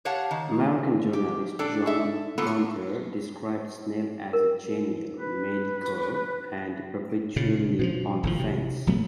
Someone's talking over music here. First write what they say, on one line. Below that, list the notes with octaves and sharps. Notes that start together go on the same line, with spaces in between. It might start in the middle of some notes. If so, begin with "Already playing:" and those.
American journalist John Gunther described Snell as genial, mediocre, and perpetually on the fence.
G4 C#5 F5 F#5 A5
D#3
G4
D4 A4 D5 G5
A4 E5
A#3 B3 F4 A4
A#4
B4
A#2 C#3
B2 E3 F3
G#1 A2 F3
C3
A#1 F#3 A3 B3